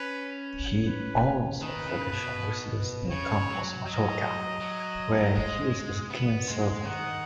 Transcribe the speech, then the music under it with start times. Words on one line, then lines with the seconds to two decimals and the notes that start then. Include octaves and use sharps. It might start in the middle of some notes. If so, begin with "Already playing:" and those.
He owns a vacation residence near Campos, Majorca, where he is a keen surfer.
Already playing: C#4 B4
0.87 B4
1.62 D#3 B4
1.87 C#3
2.12 B2
3.11 C#3 C#5
3.49 F#3
3.86 F#3 D#5
4.61 F#3
5.35 G#3
6.10 B3
6.48 G#3
6.84 D#3 F#5